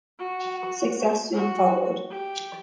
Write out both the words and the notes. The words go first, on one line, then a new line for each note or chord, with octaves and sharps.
Success soon followed.
F#4
F#4
G4